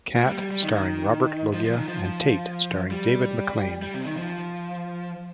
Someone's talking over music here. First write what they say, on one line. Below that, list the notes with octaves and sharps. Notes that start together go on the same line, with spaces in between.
Cat, starring Robert Loggia, and Tate starring David McLean.
A#3
G3
G3
G3
D#3
F3
F3
D#3
F3
G3
G3
C3
D#3
F3